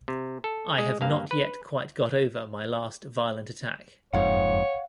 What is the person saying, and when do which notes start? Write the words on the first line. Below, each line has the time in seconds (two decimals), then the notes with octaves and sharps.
I have not yet quite got over my last violent attack.
0.08 C3
0.44 A4
0.78 G#3
1.01 G2 A#3 F5
1.31 B4
4.13 F#1 F2 G#2 C#5 F5 F#5